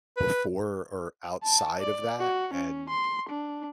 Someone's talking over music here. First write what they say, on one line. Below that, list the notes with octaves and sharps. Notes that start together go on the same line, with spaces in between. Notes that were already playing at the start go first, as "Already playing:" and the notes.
before or outside of that, and
B4
A5
D5
F#4
C#4
C6
D4